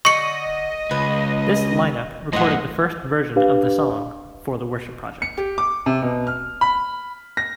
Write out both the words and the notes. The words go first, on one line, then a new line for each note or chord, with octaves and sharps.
This line-up recorded the first version of the song for "The Worship Project".
D3 D#5 C#6 C#7
C#2 B4
F#2 A2 C5 D#5 F#5
D4 G4 B4 F5
C#7
G4
D6
C3
B2
F6
B5
A#6